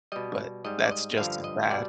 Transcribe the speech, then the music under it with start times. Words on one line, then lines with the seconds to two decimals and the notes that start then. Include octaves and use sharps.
but that's just as bad.
0.12 B2 G3 D#5
0.65 G#2 G3 D#5
0.85 D5
0.91 D#5
1.18 G2 D3 F3 F5
1.44 D#5
1.70 B2 G3 D5